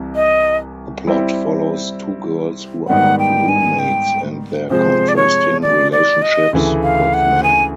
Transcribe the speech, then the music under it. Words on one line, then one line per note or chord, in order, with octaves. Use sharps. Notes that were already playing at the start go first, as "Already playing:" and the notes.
The plot follows two girls who are roommates and their contrasting relationships with men.
Already playing: C2 C3 E3
D#5
G3 C4 E4
G#2 D#3 G3 B3 F#5
G5
G#5
G5
C3 F3 G#3 C5
D5
C#5
D5
D5
D#5
D2 C#3 E3 A3
F5
F#5
G#5